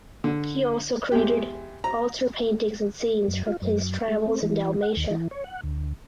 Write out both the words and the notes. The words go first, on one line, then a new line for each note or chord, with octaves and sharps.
He also created altar paintings and scenes from his travels in Dalmatia.
D3
E2 G#3 G4
A#5
F#2
F4
F#2
G#3
C4
E3
F#5
D#2
E3
C#5
F#5
D2